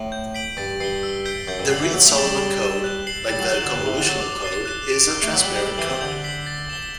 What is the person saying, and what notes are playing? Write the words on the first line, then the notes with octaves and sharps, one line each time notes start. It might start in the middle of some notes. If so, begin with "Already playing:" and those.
The Reed-Solomon code, like the convolutional code, is a transparent code.
Already playing: A2
G6
B6 D7 F#7
G2 A6
G2 C7 G7
E6
G6 B6 D7 G7
F#2 G6
G2
D3 C7 F#7
E3
F#3 E6
A3
G3 A6 E7 G7
G3
A6
E7 G7
F#6
C7 F#7
G3 A6
F#3
F#3 E7 G7
D3
G2 F#6
C3
D3 A6 E7 G7
F#3
D6
A6 C7 G7
F#6
A6 D7
E6
A3
F#3 B6 F#7
G3
G3 G6
G3
E3 C7 G7
C3
D3 G6
B6 F#7
A6
E7 G7